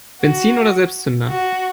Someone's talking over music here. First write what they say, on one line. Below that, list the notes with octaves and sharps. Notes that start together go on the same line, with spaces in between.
Benzin oder Selbstzünder?
F#4
F#4